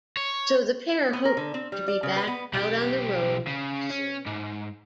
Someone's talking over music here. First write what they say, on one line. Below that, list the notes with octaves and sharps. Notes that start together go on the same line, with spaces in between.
So the pair hoped to be "back out on the road" soon.
C#5
B3
A#4
D3
C4
G3
D5
C#3
B4
B3
B1 G4
C#3
C#4
G#2